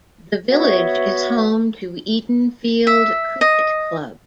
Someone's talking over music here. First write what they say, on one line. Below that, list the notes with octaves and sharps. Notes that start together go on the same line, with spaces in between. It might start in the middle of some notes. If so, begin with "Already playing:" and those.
The village is home to Edenfield Cricket Club.
B3 F#4 C#5 E5
E5
D#5